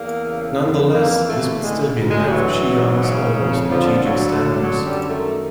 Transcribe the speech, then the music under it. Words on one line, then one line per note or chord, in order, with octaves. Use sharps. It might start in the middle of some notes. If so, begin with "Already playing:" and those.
Nonetheless, this would still be in line with Chiang's overall strategic standings.
Already playing: E2 A#3
C#3
F2
E3 A#3
A2 A3
D3 G#3
D2
G#3
G3
E3 F#3
G#2
C#3
F2
D3 F3
F3
D2 F#3
D3
F#3
F#2
G3
D#3 A3